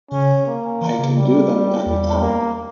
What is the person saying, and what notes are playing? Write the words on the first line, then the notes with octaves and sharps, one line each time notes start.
I can do them any time.
C#3 C#4
A#3
E3
C#3
G3
E2 G3
A#3